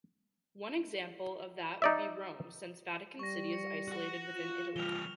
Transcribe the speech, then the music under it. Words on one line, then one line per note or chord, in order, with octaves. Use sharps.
One example of that would be Rome since Vatican City is isolated within Italy.
D#4 D5 E5
G3 C#6 A#6
C#7
F#4 F#5
F4 E7
E3 G3 F6 F7 G7